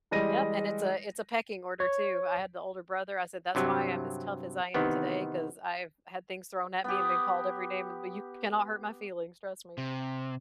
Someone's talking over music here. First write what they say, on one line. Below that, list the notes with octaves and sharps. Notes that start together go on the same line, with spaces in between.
Yep, and it's a it's a pecking order too, I had the older brother, I said, "That's why I'm as tough as I am today 'cause I've had things thrown at me and been called every name in th You cannot hurt my feelings, trust me."
E3 G3 G#3 A#6 D#7
C#5
G2 C3 F#3
C3 D#3 E3 B3
B3 G4
C3